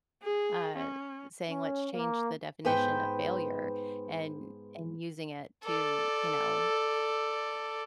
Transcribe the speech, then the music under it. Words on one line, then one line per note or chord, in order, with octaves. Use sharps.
uh, saying, "Let's change the definition of failure," and and using it to, you know
G#4
C#4
C#4
A#3
G#2 B3 B4 C5 G5
A4 D5